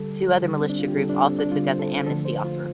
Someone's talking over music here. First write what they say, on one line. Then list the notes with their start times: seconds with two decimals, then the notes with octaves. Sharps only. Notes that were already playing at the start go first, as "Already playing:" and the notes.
Two other militia groups also took up the amnesty offer.
Already playing: D3 G3 A4
0.42 D3 G3
0.60 C4
0.70 D4
0.79 F4
0.88 G4
0.96 D3 G3 A4
1.10 D4
1.24 C4
1.39 D4
1.52 D3 G3 F4
1.71 C5
1.79 A4
2.07 D3 F3 A3 A4
2.25 C5
2.44 F4